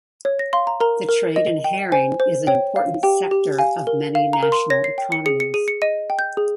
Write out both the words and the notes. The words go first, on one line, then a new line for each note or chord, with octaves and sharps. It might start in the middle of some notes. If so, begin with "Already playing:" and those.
The trade in herring is an important sector of many national economies.
C#5
A#6
F5 C6
A#5
A#4 A#5
A#4
D#5
G5
C5 G#5
C5
C#5 G5
F5
G4 G5
G4
F5 G#5
A#4
F5
A#5
A#4
C6
C#5 A#6
C7
G5
C#7
G#4 C#7
C#7
G#4 D#7
C#7
D#5 D#7
G5
G6
G#4